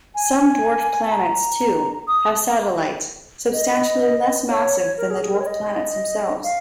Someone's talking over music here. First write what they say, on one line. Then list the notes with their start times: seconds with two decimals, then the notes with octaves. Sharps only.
Some dwarf planets, too, have satellites substantially less massive than the dwarf planets themselves.
0.15 G#5
1.06 G#5
1.11 A#5
2.08 D#6
3.53 D#5
4.50 C#5
4.98 A#4
5.10 G#4
5.23 G#4
5.34 A#4
5.41 C#5
5.47 D#5
6.43 F5